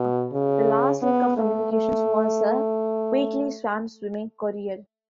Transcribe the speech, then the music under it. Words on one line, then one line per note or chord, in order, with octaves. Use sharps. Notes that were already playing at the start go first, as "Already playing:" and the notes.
The last link of communications was a weekly swamp swimming courier.
Already playing: B2
C#3
B3
A3
A3